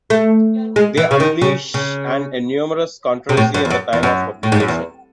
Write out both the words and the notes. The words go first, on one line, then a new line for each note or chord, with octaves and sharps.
They unleashed an enormous controversy at the time of publication.
A3
G#3
E3
C#3
D#3
C#3
C#3
C3
A2
F#2
E2
F#2
E2
F#2
A2
G#2
F#2
E2